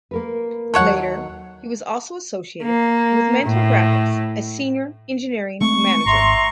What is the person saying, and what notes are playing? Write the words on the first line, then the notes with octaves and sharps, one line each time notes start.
Later he was also associated with Mentor Graphics as Senior Engineering Manager.
A#3 A#4 B4
D#2 F#3 A4 C#5 F#5
A#3
A2
G#3 A3 C4 C#6
G#1 E5 A#5 C6